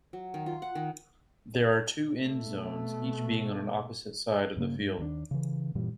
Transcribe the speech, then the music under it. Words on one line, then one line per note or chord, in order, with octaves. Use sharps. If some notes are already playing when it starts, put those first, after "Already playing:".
There are two end zones, each being on an opposite side of the field.
F#3
D#3
F4
F#5
D#3
B2 A3
G2 C#3 A3 A#3
G2
D#2 D#3 F3 D4
C#3 E3
F#2 A#2 E3 G3